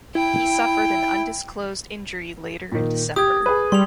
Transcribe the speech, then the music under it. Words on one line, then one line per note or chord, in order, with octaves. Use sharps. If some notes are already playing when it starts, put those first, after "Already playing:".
He suffered an undisclosed injury later in December.
E4 G5
A#2 D#3
G4 D#6 G#6
G#4 B4
G3 C6 F7